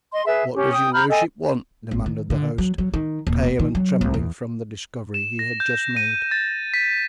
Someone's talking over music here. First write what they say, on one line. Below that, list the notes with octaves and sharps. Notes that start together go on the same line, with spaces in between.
"What does your worship want?" demanded the host, pale and trembling from the discovery he had just made.
D#5 C6
G#4 B4 E5
C#4 G4
G5 D#6
A#5 B5 F6 G6
A4 D#5 G5 G#5
G#1
D#3
D3
F#3
F#3
D#3
D#1
D#3
F#3
C2
E2
E7
A#6
G6
D#7
A6
B6